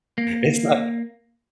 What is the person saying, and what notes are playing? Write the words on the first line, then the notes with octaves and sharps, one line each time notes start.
It's not
A#3